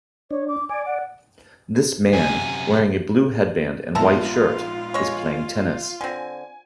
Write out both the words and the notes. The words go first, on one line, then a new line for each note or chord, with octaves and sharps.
This man, wearing a blue headband and white shirt, is playing tennis.
D4 C#5
D6
D5 G#5
F#5
F#2 C3 G#5
A#1 G#2 B3 F4 E5 A5 A#5
G#3 C#5
D3 C4 G#5